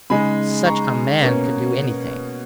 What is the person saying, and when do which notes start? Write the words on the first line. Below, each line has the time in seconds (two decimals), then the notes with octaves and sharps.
Such a man could do anything.
0.10 C#3 G#3 D#4 G#5 B5
0.66 A#5 C#6
1.21 B2 A#3 C#4